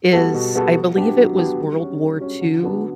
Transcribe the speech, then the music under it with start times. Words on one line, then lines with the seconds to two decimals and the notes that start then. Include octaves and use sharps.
is, I believe it was World War II
0.13 G3 B3 F#4 A4
0.34 B2
0.55 G3 B3 F#4 A4
0.75 F#3
0.96 B3 D4 G4
1.17 F#3
1.37 B3 D4 G4
1.59 G3
1.79 C#4 F#4
2.00 G3
2.20 C#4 F#4
2.41 D3
2.62 F#3 B3 D4